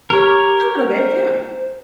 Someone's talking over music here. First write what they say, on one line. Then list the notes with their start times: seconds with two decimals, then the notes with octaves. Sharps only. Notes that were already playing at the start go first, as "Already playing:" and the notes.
A little bit, yeah.
0.10 G4 A#4 C#5
0.95 C5